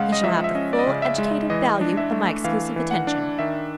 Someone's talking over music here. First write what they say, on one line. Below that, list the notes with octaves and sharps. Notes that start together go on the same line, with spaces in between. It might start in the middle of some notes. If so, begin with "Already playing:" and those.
He shall have the full educative value of my exclusive attention.
Already playing: C#3 G#3 F5 F#5
D#5
F3 E5
E5
C#4 D#5
D5
D#5
C#3
E5
G#3
E5
E3 D#5
D4
E5
A3
E3 F5
E3
F#5
D4
D#3 E5